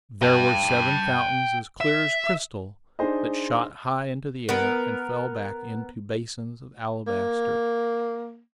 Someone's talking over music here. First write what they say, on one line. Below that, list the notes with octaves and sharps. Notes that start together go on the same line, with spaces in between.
There were seven fountains as clear as crystal that shot high into the air and fell back into basins of alabaster.
G5 A5
E5
D4 D#4 G#4 C5 D#5
B3 A#4
A#3